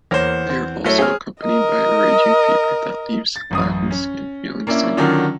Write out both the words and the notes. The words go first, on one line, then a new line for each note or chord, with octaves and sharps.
They are also accompanied by a raging fever that leaves Lavan's skin feeling sunburned.
E2 A#3 A#4 C5 C#5
C4
F#3 A3 E4 A#4 C5 C#5
F#3 C4 C#4 G#4 F6
A#4 D#5
A6
A1 F#2 D#6
C#4
A#3 C#4 D4 E4
D3 D#3 F#3 C#4 D4 F4